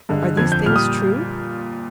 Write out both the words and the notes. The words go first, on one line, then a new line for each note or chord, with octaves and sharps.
"Are these things true?"
G2 D3 G#3
F2 D3 F3 G#6
G6
A#2 G3 F6
D#6